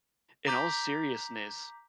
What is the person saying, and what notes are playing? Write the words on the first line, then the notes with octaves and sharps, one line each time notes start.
in all seriousness,
A#5 D6 G6 B6